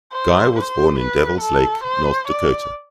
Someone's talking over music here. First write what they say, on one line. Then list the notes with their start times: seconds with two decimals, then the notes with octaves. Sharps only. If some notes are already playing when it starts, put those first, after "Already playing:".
Guy was born in Devils Lake, North Dakota.
0.12 C5
0.56 C5
0.99 B4
1.41 A4
1.84 C5
2.28 D5